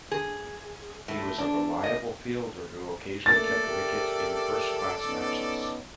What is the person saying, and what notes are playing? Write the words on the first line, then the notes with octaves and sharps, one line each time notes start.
He was a reliable fielder who occasionally kept wicket in first-class matches.
G#4
A2
D4
D#5
A3 A#3 A4 D5 A6
G4 A#4 E5
B3 C#4 D#4